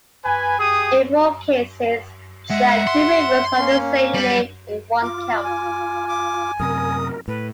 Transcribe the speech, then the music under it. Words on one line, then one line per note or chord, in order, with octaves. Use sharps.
In four cases there are two rivers of the same name in one county.
B4 G#5
G4 G#4 D#6
G#3 E5 F#5
C6
A#3 C#4
G3
F4 D6
G#5
D6
F#2 C3 A#4 D#6
A2 B4